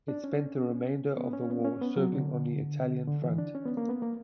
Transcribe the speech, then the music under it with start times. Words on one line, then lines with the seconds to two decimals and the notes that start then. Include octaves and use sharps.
It spent the remainder of the war serving on the Italian Front.
0.08 D4
0.24 C#4
1.18 B3
1.33 C#4
1.50 B3
1.65 C#4
1.82 B3
1.96 F#3
2.13 D3
3.07 D3
3.22 E3
3.38 D4
3.55 C#4
3.66 B3
3.77 A#3
3.89 B3
4.02 A#3